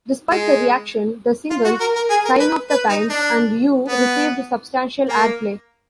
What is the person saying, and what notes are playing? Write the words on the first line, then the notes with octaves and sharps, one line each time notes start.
Despite the reaction, the singles "Sign of the Times" and "You" received substantial airplay.
G#3
F4
F#4
A#4
A#4
G#4
A#4
B4
B4
D#4
D4
B3
A#3